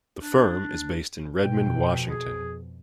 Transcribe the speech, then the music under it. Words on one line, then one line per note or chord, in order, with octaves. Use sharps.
The firm is based in Redmond, Washington.
D4
F2 B2 G5
G#4